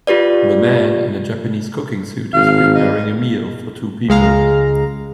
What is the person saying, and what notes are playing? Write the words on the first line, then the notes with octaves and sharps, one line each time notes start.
The man in a Japanese cooking suit is preparing a meal for two people.
F4 G4 B4 D5
G#1 F5
D#4
C#2 G#3 F5 A#5